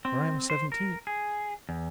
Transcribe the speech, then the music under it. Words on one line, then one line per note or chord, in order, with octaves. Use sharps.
When I am seventeen.
C4
C5
A#4
G#4
E2